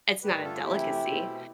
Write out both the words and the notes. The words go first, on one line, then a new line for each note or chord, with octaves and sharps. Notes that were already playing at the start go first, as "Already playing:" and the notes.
it's not a delicacy.
G2 D3 A3 G4 B4
F4 A4
C3 E3 A3 E4 G4
B2 A3 C4